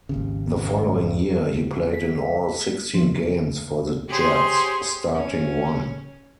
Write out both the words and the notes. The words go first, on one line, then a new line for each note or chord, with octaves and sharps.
The following year, he played in all sixteen games for the Jets, starting one.
G#1 D#2 C#3
B6
F3
G4 G#4 C5 C#5 C6
C#4